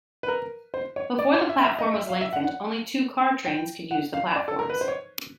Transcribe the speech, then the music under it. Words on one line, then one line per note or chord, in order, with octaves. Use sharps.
Before the platform was lengthened, only two car trains could use the platforms.
B4
A#4
C5
C#5
D5
C#5
E5
E5
D#5
E5
F5
E5
F#5
F#5
G5
F#5
F5
D5
A4
A#4
B4
C5
C#5